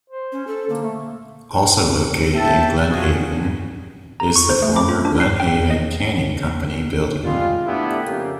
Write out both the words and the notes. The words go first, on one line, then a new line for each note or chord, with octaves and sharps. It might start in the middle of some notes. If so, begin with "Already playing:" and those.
Also located in Glen Haven is the former Glen Haven Canning Company building.
C5
C#4
A4
D3 A#3
A3
C#4 E5 G5 A5
F4 F#4 G#4
A#5
C#6
C5
A3
D6
F4
D4
C7
G5
D#5
G3 G#3 F4
A3 B3 D4 E4 G4
F2 C#3 A#3 G4